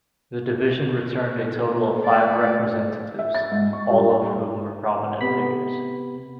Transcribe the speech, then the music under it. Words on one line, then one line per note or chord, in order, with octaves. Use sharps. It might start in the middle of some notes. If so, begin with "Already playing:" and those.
The division returned a total of five representatives, all of whom were prominent figures.
A3 D5
E5
A6
G#2
C#6
G2
A#4
C3 B3 B5 B6